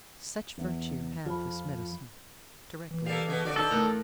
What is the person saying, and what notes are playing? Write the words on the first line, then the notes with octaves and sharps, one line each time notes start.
Such virtue had this medicine, directly it were drunken.
E2
F2 F3 F4 B5
E3
G3 A#3 A4 F5
B2 G#3 B3
E1 F2 F#4 D5
D#3 D4 A4
A1 A2 A#4 F#6